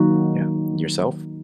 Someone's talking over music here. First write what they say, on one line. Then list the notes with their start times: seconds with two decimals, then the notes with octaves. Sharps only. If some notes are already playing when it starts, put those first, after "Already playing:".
Yeah, and yourself?
Already playing: D#3 F#3 A#3 D#4 F#4